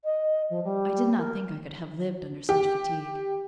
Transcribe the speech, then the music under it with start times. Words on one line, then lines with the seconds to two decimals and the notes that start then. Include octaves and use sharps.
I did not think I could have lived under such fatigue.
0.04 D#5
0.50 F3
0.64 G3
1.18 A#4
2.49 G4